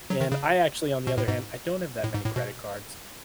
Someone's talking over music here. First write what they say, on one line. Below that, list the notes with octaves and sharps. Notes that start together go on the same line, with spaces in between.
And I actually, on the other hand, I don't have that many credit cards.
F#3
D#3
C#3
B2
A2
G#2
A2
G#2
A2
B2